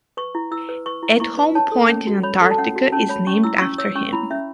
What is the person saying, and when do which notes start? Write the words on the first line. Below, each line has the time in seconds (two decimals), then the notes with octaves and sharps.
Edholm Point in Antarctica is named after him.
0.17 B4 C#6
0.35 E4
0.51 E4 E6
0.69 B4
0.86 B4 C#6
1.03 E4
1.20 E4 C#6
1.37 B4
1.55 C#5 A5
1.72 A4
1.89 C#4
2.07 F#4
2.23 C#5 B5
2.41 A4
2.51 A5
2.58 C#4 F#5
2.76 F#4
2.92 C#4 A5
3.09 C#5 B5
3.27 C#4 C#6
3.43 E4 E6
3.57 E6
3.61 C#4 C#6
3.78 C#5 E6
3.95 C#4 C#6
4.13 E4 B5
4.31 C#4 E5